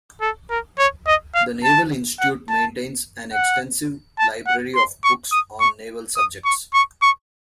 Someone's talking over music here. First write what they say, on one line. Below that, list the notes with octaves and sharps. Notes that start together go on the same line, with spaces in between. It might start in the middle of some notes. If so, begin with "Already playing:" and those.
The Naval Institute maintains an extensive library of books on naval subjects.
A4
A#4
C#5
D#5
F5
A5
F#5
A5
F#5
A5
F#5
C6
C#6
D#6
C#6
D#6
C#6
C#6
C#6